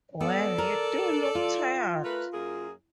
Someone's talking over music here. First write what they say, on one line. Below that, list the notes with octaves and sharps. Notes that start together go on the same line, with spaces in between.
Well, you do look tired.
B3 A4 D5
A#4
F4
A3 A#4 B4
F#2 A#3 G#4